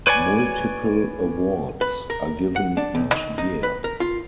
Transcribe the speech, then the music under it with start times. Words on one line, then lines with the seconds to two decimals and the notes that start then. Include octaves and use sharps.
Multiple awards are given each year.
0.07 B4 C#5 D5 G#5
1.81 B4
2.10 A#4
2.56 F#5
2.77 D4
2.95 B1
3.13 D#3
3.38 D#4
3.63 B4
3.84 A#4
4.00 F4